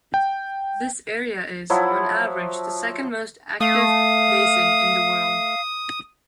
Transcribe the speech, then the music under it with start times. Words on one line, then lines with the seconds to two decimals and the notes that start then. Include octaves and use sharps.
This area is, on average, the second-most active basin in the world.
0.14 G5
1.70 F3 F#3 E4
3.61 A3 F5 D#6